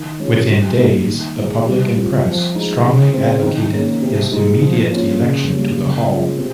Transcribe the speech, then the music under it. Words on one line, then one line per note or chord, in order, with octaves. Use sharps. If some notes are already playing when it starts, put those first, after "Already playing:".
Within days, the public and press strongly advocated his immediate election to the Hall.
Already playing: D#3
G#3 C#4 F4
G3
A#3 D#4
D#3
G#3 D#4
G3
C4 F4
F3
G#3 D#4
C#3
G#3 C4
D#3
A#3 C#4
C3
D#3 G#3 D#4
F3
A#3 C#4 F4
C#3
G3 A#3 C#4
C#3
G#3 C#4 F4
C3